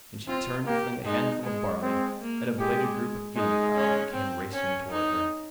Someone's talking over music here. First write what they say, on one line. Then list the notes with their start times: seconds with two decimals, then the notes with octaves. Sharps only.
And she turned to fling a handful of barley at a belated group of guinea-fowl that came racing toward her.
0.27 C4 F4
0.66 A#3 G4
1.05 G#3 D#4
1.44 G#3
1.82 G#3 C4
2.21 A#3
2.59 G#3 G4
3.36 G#3 D#4
3.75 C#4
4.14 C4
4.53 C#4
4.91 D#4